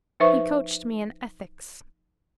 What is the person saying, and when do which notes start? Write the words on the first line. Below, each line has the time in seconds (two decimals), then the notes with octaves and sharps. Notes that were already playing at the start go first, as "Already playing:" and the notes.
"He coached me in ethics."
0.20 F3 D#4 B4 C5 E5 C#6